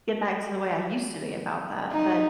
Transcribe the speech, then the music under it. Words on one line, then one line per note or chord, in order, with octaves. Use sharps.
get back to the way I used to be about that. But
D#4